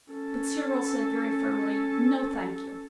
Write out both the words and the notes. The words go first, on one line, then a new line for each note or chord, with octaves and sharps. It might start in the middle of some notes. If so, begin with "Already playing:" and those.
But Cyril said very firmly, 'No, thank you.
C#4 A4